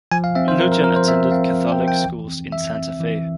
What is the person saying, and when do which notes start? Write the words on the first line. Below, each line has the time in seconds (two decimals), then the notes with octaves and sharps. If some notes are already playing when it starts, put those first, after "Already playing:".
Lujan attended Catholic schools in Santa Fe.
0.12 F3 G#5
0.24 F5
0.35 C4 E5
0.48 C5
0.60 F3 A#4
0.72 A#4
0.84 F3 A#4
0.96 C5
1.08 C4 E5
1.31 C4 F5
1.56 F3
1.72 G5
1.80 F3
1.88 G5
2.04 E3
2.28 C4
2.52 E3 E5
2.76 C4
3.00 E3